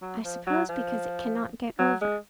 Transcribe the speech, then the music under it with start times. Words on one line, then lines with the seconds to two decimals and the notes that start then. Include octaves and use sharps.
I suppose because it cannot get over.
0.02 F#3
0.25 F3
0.47 F#3
0.69 F3
1.79 F#3
2.02 G#3